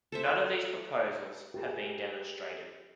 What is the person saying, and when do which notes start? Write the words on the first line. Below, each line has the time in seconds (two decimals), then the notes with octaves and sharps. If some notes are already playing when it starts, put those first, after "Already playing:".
None of these proposals have been demonstrated.
0.12 A4 C5 E5
1.54 G4 G#4